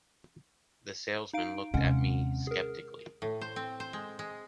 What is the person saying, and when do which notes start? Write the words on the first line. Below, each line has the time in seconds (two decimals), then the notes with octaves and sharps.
The salesman looked at me skeptically.
1.33 D#4 F5 D7
1.74 D#2 C3 G#3 C#4 F#5
2.47 G#4 A#4
3.22 A2
3.41 C5
3.56 C4
3.80 C5
3.93 G#3
4.19 G#3